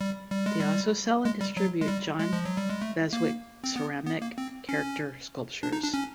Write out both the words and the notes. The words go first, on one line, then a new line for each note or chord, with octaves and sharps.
They also sell and distribute John Beswick ceramic character sculptures.
G3
G3
G#3
G3
G#3
G3
F#3
G#3
G3
G#3
F3
F#3
G3
G#3
A3
A#3
C4
B3
B3
A#3
C4
C#4
D4
D#4
D4
C#4